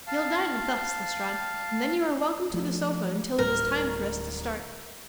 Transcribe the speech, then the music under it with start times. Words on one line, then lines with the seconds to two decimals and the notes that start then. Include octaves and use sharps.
You'll dine with us, Lestrade, and then you are welcome to the sofa until it is time for us to start.
0.07 F5 A5
2.54 F3 A3
3.38 D1 A2 G3 A#4